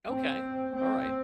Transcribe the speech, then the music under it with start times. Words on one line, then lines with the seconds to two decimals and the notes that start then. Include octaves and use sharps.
Okay. Alright.
0.09 C4
0.75 C4